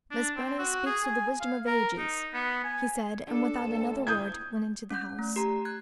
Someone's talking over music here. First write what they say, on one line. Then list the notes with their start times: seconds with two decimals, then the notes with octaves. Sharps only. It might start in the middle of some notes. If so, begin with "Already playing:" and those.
"Miss Burney speaks with the wisdom of ages," he said, and without another word went into the house.
0.11 D4
0.36 C4
0.59 F#4
0.86 G#4
1.05 G#5
1.41 F5
1.67 A#4
1.99 D#4
2.34 B3
2.64 G#5
3.27 D4 A4 A5
3.59 D2
4.07 D#6 G6 G#6
4.90 C#4 G6
5.19 A3
5.36 G4 A#5
5.65 F#6 G#6